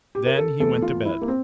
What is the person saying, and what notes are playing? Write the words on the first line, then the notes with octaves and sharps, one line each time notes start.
Then he went to bed.
G4
A#4
A4
E2 E3 A3 A4
F4
E4
A#3
C4